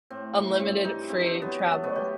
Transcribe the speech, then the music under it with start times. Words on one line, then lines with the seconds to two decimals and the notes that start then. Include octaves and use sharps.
unlimited free travel.
0.10 A2 C4
0.35 F#3
0.59 G2 C4
0.84 E3 D#4
1.09 G2 C4
1.21 D#4
1.26 C4
1.34 F#3
1.42 B3
1.59 F#2 B3
1.72 A3
1.83 D#3 F#3 B3
1.96 G4